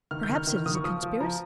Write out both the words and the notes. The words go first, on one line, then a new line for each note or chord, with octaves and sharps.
Perhaps it is a conspiracy.
D#3 F6
G6
D#3
F6
D#3
F6
D#3 D#6
C#6
F3 D#6
F3
F3 A#5